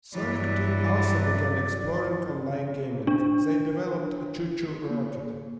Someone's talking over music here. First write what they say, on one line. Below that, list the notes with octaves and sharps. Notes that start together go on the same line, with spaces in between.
Sonic Team also began exploring online gaming; they developed ChuChu Rocket!
G2 E3 F#3 D5
D4
A#3